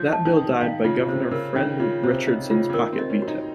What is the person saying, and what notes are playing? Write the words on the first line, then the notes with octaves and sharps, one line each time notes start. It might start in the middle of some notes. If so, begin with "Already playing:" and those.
That bill died by Governor Friend Richardson's pocket veto.
Already playing: F3 C#5
A5
D#3
A4
D#3 F5
C#3 F4
C3 C5
C#3 A#4
D#3 C#4
C#3 F4
C3 C5
C#3 D#5
C#3 F4
C#3
D#3 A#4
C4
D#5
C#4
F#4
D#4